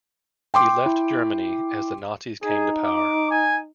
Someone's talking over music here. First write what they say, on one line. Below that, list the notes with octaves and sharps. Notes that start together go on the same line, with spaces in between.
He left Germany as the Nazis came to power.
G5 C6 D6
E4
D#4 G#4
D6
G#5